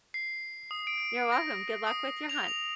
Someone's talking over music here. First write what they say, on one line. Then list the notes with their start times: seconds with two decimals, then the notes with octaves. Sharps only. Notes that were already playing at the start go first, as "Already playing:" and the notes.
You're welcome. Good luck with your hunt.
0.14 C7
0.71 D#6
0.87 D7
1.32 A#6
1.87 D#6
2.29 F7
2.48 F7